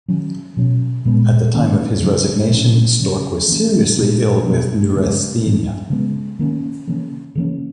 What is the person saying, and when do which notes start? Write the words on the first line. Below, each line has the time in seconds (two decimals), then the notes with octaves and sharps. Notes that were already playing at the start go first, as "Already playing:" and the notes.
At the time of his resignation, Storck was seriously ill with Neurasthenia.
0.08 D#3 F#3 C#4
0.57 B2 F#3 C#4
1.05 A#2 G#3 B3
1.54 D#3 A#3 C#4
2.03 C#3 F#3 C#4
2.51 A#2 A#3 C#4
2.99 C#3 F#3 C#4
3.48 E3 A#3 C#4
3.97 A#2 G#3 B3
4.45 B2 F#3 B3
4.93 C#3 G#3 B3
5.42 E3 B3
5.90 C#3 G#3 B3
6.39 D#3 A#3 C#4
6.87 C#3 E3 A#3 C#4
7.35 C#3 E3 A#3 C#4